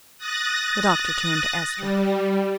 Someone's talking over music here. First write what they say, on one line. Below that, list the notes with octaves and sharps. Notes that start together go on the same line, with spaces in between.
The doctor turned to Estra.
D#6 F#6 A6 A#6
G3